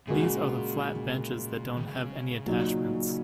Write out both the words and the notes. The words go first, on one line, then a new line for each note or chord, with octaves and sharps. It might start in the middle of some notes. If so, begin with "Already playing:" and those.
These are the flat benches that don't have any attachments.
A#2 C#3 G#3 F#4 A#4
D#3
C#3
A#2 F#3 D#4